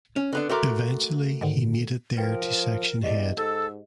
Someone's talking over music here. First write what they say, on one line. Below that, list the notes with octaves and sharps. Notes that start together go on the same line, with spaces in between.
Eventually he made it there to section head.
C#4
D3 B3 D4
A3 F#4 A4 A#4 C6 D6
G#2 D3 D#3
F3 A#4 B4 G5
E2 G4 D5 D#5
G#2 A4 E6